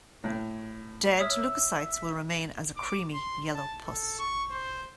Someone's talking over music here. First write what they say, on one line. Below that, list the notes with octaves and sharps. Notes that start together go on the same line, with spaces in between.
Dead leukocytes will remain as a creamy yellow pus.
A2
C#5 E5 D#6 F6
D6
C6
A5
A4
C#6
C5